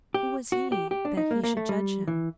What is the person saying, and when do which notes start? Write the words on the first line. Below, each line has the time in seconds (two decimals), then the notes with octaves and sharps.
Who was he that he should judge him?
0.14 G4
0.52 F#4
0.72 G4
0.91 G4
1.05 D4
1.17 D#4
1.31 A#3
1.44 A#3
1.57 A3
1.69 G3
2.08 E3